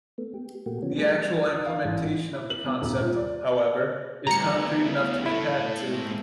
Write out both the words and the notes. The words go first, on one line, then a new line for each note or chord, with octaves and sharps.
The actual implementation of the concept, however, is concrete enough to be patented.
A3 B3
G4
A#2 A3 A#3 F#4 G4
C#3 F3 B3 C#4
G3 A3 G#4
D#6
F5
A1
E3
E4
F#7
B3
D#1
A#2
D5
D2 G3 B3 E4 A#5 C#7
A2 A3 E4 A4
G#3 A#3 C4